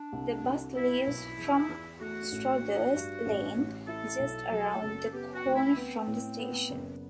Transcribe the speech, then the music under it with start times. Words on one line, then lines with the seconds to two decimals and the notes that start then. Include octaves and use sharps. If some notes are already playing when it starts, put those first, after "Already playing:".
The bus leaves from Strothers Lane, just around the corner from the station.
Already playing: D4
0.13 C2
0.44 C2
0.75 B3 E4
1.07 B1
1.38 E2
1.69 E2
2.00 A3 F#4
2.32 A1
2.63 D4
2.94 G2
3.26 A1
3.57 A1
3.88 E4 A4
4.19 B1
4.51 F#3
4.82 F#1
5.13 B3 G4
5.34 F#4
5.45 D2
5.55 E4
5.75 B3 C4
6.07 A2
6.39 B3
6.70 F#1